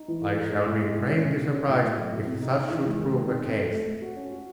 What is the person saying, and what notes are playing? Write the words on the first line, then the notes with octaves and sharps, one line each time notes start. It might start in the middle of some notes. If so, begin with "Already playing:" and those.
I shall be greatly surprised if such should prove the case.
Already playing: D#4
E3
A4
D#4
G#3
A2
G#3
A2
C#4
C#3
C#3
C#4
A2
A3
F#3
A2
C3
D#4
D#4
E3
G#3
D#3
D#3
C4
A4
A4
A3
A3
F#4
C#4
F#4